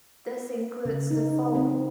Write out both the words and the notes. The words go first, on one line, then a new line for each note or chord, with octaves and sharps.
This includes the following.
C#3
D#4
C4